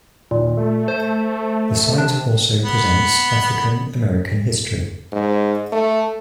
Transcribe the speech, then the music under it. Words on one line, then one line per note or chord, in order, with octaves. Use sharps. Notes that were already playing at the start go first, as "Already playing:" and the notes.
The site also presents African-American history.
D#2 A#2
A3
C5
C3 D4
B3
G#2
A3